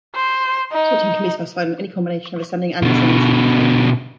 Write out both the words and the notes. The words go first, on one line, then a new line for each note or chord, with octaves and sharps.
Sorting can be specified on any combination of ascending and descending sequence by key.
C5
D#4
B2 D3